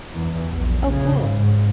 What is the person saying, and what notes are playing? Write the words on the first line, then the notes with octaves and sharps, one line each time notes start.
Oh, cool.
E2
A#1
C#3
G#2